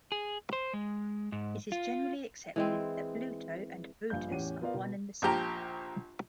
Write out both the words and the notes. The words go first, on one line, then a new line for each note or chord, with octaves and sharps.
It is generally accepted that Bluto and Brutus are one and the same.
G#4
C5
G#3
G#2
F4
E3 G#3 C4
A#1 G2 F5 G6
E2 A2 C#4 G4 F#5 D#7
B3 F4 A#4 D5 F5
B2
A#1 F3 G4 A#5